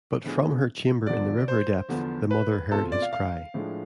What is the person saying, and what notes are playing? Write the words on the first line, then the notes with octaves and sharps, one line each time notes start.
But from her chamber in the river depth the mother heard his cry.
A2 F3 B3 D4 G#4
E2 D3 F3 D5
C5
E2 D3 F3 B3 F4
B4
B2 A3 C4 F4 G#4 A4
D5
F5
F5
A2 F3 G#3 D4